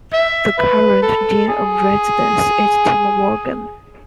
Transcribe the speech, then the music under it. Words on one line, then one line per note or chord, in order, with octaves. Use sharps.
The current Dean of Residence is Tim Worgan.
E5
B4
A4
G#4